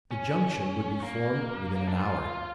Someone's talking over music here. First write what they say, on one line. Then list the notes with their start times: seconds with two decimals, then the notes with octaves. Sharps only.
The junction would be formed within an hour.
0.11 C#4
1.02 A#3
1.76 A#3
1.87 D4
2.00 F4